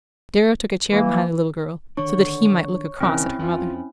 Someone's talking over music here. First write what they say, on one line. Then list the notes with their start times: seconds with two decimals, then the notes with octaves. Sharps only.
Darrow took a chair behind the little girl, so that he might look across at her mother.
0.91 E3 A#3
1.97 D3 D#3 D4 C#5 C#6
3.00 C2 D#3 C4 C#4 E4
3.39 F2 F3 F4